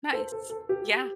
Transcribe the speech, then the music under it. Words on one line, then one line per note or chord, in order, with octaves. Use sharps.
Nice. Yeah.
A4 C5
A4
A4
G4